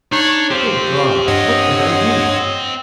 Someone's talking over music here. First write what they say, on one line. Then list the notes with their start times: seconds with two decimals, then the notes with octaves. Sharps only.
Oh God! what could I do?
0.12 D4 D#4 C#5
0.51 C4 F4 G4 C5
1.28 G2 C#5 D#5 F#5